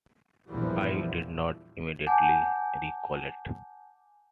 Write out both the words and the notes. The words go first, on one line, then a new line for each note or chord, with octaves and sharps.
I did not immediately recollect.
A#1 E2 E3 F3 G3
F#5 G#5 A5 D6 G6